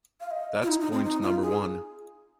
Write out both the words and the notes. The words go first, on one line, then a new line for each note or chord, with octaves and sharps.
That's point number one.
F5
D#5
F4
D#4
D#4
C4
D#4
F4
G#4